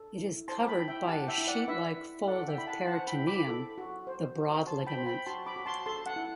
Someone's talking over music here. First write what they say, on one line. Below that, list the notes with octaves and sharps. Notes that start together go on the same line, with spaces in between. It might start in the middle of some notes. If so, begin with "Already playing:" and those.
It is covered by a sheet-like fold of peritoneum, the broad ligament.
Already playing: A4
E4
C5 A5 C6
G5 B5
E4
E5 G5
G4 F#5 A5
E5 G5
E4
D5 F#5
B4 E5
E4
A4 D5 F#5
E5 G5
E4 B5
F#5 A5
C5 F#5 A5
G5 B5
E4
B5 D6
A4
F#4
C5
F#4
C5 A5 C6
G5 B5
C5
G5 B5
F#4 A5 C6
B5 D6
F#4
A5 C6
A4 A5 C6
F#5 A5
E4